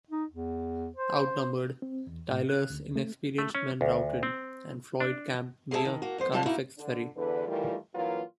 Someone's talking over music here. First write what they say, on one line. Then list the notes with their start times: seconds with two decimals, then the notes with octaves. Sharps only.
Outnumbered, Tyler's inexperienced men routed, and Floyd camped near Carnifex Ferry.
0.11 D#4
0.30 E2
0.97 C5
1.82 C4
2.07 E2
2.30 A2
2.49 F#6
2.70 D2
2.96 A3
3.38 A3
3.55 C#4
3.81 D2
4.23 C4
5.00 D4
5.71 C3 G#4 B4 C5 E5 A5
5.85 D#3
6.02 A#3 F#4
6.18 F2 B3 C5
6.32 D2 F#3 G3 F4 A5
6.46 A#3 D#4 E4 F#4
6.78 D3
7.17 E2 D3 B4
7.47 D#3 E3 G3 A3 F4 A#4
7.94 G2 E3 F#3 A#3 F4 B4